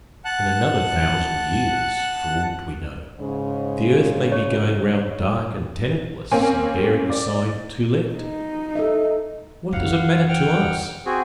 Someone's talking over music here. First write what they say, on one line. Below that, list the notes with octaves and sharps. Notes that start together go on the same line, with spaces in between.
In another thousand years, for aught we know, the earth may be going round dark and tenantless and bearing the sign "To Let." What does it matter to us?
F#5 A5 F#6
G#2 C#3
C#5
A#3 C4 C#4 G#5
D5
D#4
A4 D#5 E5
F#2 E3 F5 F#5
F#5 G5 F6
C4 F#4 G#4